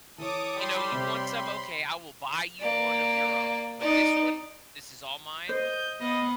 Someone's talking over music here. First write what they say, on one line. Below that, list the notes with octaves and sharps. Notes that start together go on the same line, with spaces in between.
You know, "You want some? Okay, I will buy you one of your own, but this one, this is all mine,
E3 A4 C#5 D6 D#6
G3 G4 B5 C6
C3 C#5
A#3 D5
D#4 D5
C5 D#5 G6
B3 D#5 F5 B5